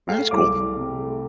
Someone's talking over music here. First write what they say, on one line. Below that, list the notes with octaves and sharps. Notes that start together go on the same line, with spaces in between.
That's cool.
A3 F5
C2 D6
C2
C3
A3